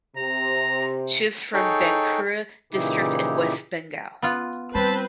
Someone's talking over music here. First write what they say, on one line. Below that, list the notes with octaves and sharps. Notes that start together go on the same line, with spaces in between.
She is from Bankura district in West Bengal.
C3 A#5
D#4 G#4 A4 C#5 G5
A#2 C#3 E3 D#4 E4 G4
B3 F4
G3 C4 B4 C5 A5 B5